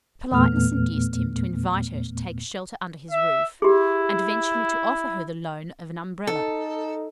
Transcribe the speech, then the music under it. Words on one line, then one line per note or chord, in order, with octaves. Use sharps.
Politeness induced him to invite her to take shelter under his roof, and eventually to offer her the loan of an Umbrella.
E2 A#2 A3 B3 F6
E5
E4 G4 G#4
D#4 A4